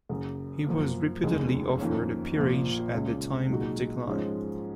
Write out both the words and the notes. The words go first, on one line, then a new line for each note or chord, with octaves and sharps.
He was reputedly offered a peerage at the time but declined.
F#1 F#2 C#3
F#2 F3 A#3
F1 D#2 C#3 G#3
F2 D#3 A#3 C#4
A#1 A#2 F3 A#3
C#2 C#3 G#3 C#4 F4
B1 A#2 G#3 D#4 F#4
G#2 F3 G#3 C#4